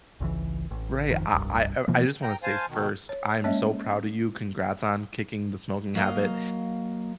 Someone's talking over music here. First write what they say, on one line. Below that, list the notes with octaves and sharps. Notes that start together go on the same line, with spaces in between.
Right, I I uh, I just wanna say first, I'm so proud of you, congrats on kicking the smoking habit,
G#1 C#2 E3
A1
G1 F2 D#3
F1 C2 G2
B2 E3 F3 A#3
G5 A#5
C5 F5 G#5 A5
B2 D#3
C#5
G#3 A#3 C#4 C#5 D#5 E5
F#3 A#3 D#5 F5